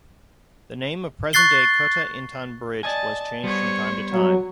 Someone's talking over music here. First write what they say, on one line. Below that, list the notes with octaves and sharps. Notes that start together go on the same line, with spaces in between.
The name of present day Kota Intan Bridge has changed from time to time.
C#6 F#6 A6 C7 G7
D5 D#5 G#5 A5
G3 B3 C5 C#5
F#3 F#4